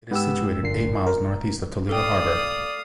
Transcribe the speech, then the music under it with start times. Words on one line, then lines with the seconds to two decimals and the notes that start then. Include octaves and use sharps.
It is situated eight miles northeast of Toledo Harbor.
0.11 G#2 B3 G4 E6
0.63 G1 A#2 D3 C7
1.06 A#4
1.89 A4 D5 F5 G5 D#6